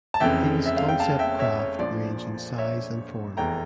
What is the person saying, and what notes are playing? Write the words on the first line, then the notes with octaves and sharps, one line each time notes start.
These concept craft range in size and form.
A5
F1 F2 C#3 E3 E5 G5
E5
F5
G5
F5 A5
E5 G5
C#5 E5
C#5
A#1 A#2 F3 D5
C#5 E5
F1 E2 E3 G5 A#5